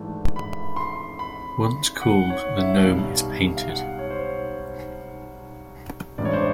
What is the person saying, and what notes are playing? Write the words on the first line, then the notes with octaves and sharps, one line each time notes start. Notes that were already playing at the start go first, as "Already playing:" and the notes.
Once cooled, the gnome is painted.
Already playing: G#1 G#2 E3 A3 D4
B5
C6
B5
F#5
C#5
E5
B1 B2 G3 F5
F5
F#5
C#5
C5
A1 G2 E3 G#3 D5
C#5
C5